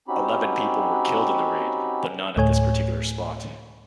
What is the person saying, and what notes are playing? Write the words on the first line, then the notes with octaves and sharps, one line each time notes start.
Eleven people were killed in the raid, though none at this particular spot.
C4 C#4 D#4 F#4 G4 B5
D2 A2 A3 C#5 G#5